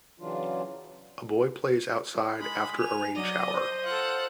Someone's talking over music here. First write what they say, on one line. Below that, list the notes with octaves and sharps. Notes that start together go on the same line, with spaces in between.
A boy plays outside after a rain shower.
C#3 E3 F#3 D4 F4
G#3 B5
G#5 F7
F#3 D5 D#5
C5
F4 A4 F#5